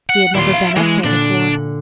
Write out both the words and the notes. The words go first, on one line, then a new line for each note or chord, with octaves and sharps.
She had never been up there before.
F#5
D#2 A#2 E4 C6
F5
E3 G#3
A#2 D3 D4